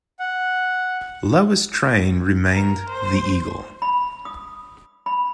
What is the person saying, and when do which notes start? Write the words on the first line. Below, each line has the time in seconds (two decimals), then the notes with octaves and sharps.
Louis train remained the "Eagle".
0.19 F#5
2.53 A#4
2.90 C5
3.82 B5
4.25 D#6
5.06 B5